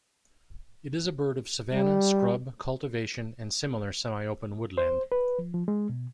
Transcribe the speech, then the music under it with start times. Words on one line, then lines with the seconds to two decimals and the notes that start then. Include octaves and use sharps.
It is a bird of savanna, scrub, cultivation and similar semi-open woodland.
1.73 G3
4.78 C5
5.12 B4
5.39 F3
5.54 F3
5.68 G#3
5.89 B2